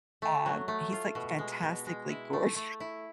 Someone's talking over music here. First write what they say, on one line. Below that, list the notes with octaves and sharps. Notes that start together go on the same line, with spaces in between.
Uh, he's, like, fantastically gorgeous,
A3
F#3
A3
F4
B2
G#3
B2
G#3
E4
A3
A3
E4